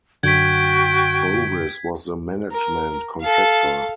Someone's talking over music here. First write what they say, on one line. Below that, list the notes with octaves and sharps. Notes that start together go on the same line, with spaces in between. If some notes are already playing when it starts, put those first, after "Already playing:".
Bovis was the management contractor.
F#2 D3 F#4 G5 G#6 B6
A#4
A4 F5